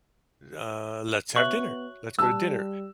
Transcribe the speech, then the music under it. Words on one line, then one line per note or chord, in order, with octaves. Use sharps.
"uh, let's have dinner. Let's go to dinner."
B3 F#4 C#5 E5 C#6 F#6
G3 B4 A5 E6